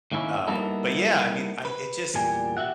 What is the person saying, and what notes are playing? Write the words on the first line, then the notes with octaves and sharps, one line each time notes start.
Um, but yeah, I mean, I it just
A2 D#3 A#3 C#4 E4
G3 A#3 B3 D#4 E4 A4
B4
E2 A#2 G3 G#5
F#4 G4 E5 F#5